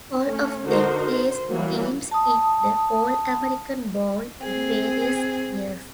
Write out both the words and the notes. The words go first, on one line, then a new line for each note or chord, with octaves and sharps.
All of them placed teams in the All-American Bowl in various years.
A3 C#4
D3 D#4 F#4 A#4 C5
C5
E3 F#3 G3 A#3
A5 D#6
C4 G#4